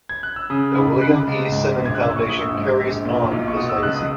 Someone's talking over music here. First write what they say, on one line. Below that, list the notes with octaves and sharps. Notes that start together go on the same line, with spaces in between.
The William E. Simon Foundation carries on this legacy.
G#6
F#6
E6
C#3 D#6
C#2 B5
C#3 F#6
C#2
G#2
A#1
G#6
F#6
A#2 E6
C#6
A#1 D#6
E6
G#2
A#1
A#2
B1
C#6
B2 D#6
E6
C#2 F#6
D#6